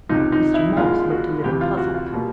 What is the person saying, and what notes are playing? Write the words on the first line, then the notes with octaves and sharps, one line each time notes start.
Mr. Moss looked a little puzzled.
C#2 C3 F3 D#4
D#4
E4
C2 A#2 F3 G#3 F4
F#4
D2 C3 E3 G4
F4
F#4
F4
B2 G3 A#3